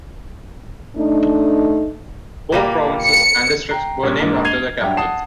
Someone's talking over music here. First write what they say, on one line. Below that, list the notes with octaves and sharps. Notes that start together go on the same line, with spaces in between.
Both provinces and districts were named after their capitals.
A3 D4 D#4
A#2 G3 A#3
C#7
G5 A#5 C7
A#2 G3 C#4
G#2 G#3 A#3 D4
G#6 C7 D#7 F7 G7
G2 F#3 G4 E5 G5
F#5 A5 D#6 C7 E7